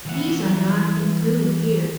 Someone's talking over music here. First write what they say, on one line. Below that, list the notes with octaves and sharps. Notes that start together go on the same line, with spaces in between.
These are not included here.
E3 F#5